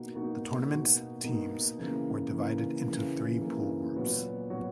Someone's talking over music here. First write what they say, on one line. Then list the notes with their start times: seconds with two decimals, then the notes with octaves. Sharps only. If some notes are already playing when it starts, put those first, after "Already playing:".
The tournament's teams were divided into three pool groups.
Already playing: B2 A#3 D#4 F#4
0.15 B2 A#3 D#4 F#4
0.69 B2 A#3 D#4 F#4
1.23 B2 A#3 D#4 F#4
1.78 C#3 E3 A#3
2.32 C#3 E3 A#3
2.86 C#3 E3 A#3
3.40 C#3 E3 A#3
3.96 A#2 F#3 B3 F#4 C#5
4.50 A#2 F#3 B3 F#4 C#5